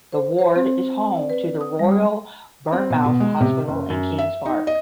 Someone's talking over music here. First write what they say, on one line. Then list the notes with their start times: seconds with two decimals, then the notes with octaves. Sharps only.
The ward is home to the Royal Bournemouth Hospital and Kings Park.
0.12 C5
0.39 C5
0.56 C4
1.17 D5
1.30 B4
1.61 D#6
1.79 G3
1.91 D#6
2.73 C4
2.90 B2
3.05 B2
3.20 G#3
3.41 C3
3.68 F#1
3.90 F#2
4.18 E5
4.45 D#4
4.67 D#5